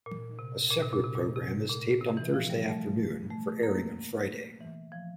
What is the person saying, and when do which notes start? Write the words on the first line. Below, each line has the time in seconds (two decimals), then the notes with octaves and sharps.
A separate program is taped on Thursday afternoon for airing on Friday.
0.06 A#2
0.39 C3
0.71 A#2
0.82 C3
0.93 A#2
1.04 C3
1.15 A#2
1.36 C3
1.69 A#2
2.01 C3
2.17 E3
2.34 F3
2.50 G3
2.65 A3
3.30 A3
3.63 A#3
4.61 E3
4.92 F3